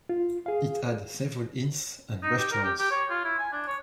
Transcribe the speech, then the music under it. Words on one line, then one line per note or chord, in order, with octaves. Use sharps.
It had several inns and restaurants.
F4
G#4 F5
D#4
G4
A#4
G4
G4
C#5
F4
E4
G#5
D4
C#5